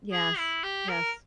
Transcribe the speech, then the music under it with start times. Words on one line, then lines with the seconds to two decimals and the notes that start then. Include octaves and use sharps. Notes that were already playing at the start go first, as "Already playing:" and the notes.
Yes, yes.
0.12 G#4
0.38 E4
0.63 G4
0.89 A#4